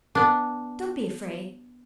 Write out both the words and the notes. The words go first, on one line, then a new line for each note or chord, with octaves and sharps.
Don't be afraid.
B3 D4